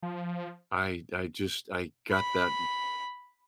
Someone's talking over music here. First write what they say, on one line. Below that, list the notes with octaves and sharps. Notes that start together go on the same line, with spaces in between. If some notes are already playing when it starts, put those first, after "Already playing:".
I I just I got that
F3
B5